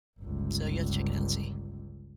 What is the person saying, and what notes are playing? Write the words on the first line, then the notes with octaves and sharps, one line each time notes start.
So you have to check it out and see.
G1 C#2